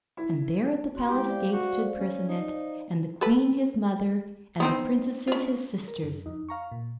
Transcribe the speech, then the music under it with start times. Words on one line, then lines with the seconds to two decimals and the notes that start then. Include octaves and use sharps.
And there, at the palace-gate, stood Percinet, and the queen, his mother, and the princesses, his sisters.
0.17 E4
0.95 F#4 C6
1.09 G#3 E4 G4
1.29 C5 D5 F5
1.52 F#4
1.99 C#4
2.29 D#4
3.21 A4 B4
4.60 B3 C4 D#4
5.27 C#4 F4
5.88 A#4
6.03 F#2
6.26 F2 D#4
6.49 F5 A#5 C#6
6.72 A#2